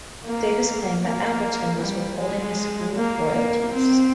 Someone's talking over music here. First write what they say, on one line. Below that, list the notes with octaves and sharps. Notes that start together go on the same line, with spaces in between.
Davis claimed that Appleton was withholding his full royalties.
A#3
A#3
G3
G#3
A#3
A#3
C4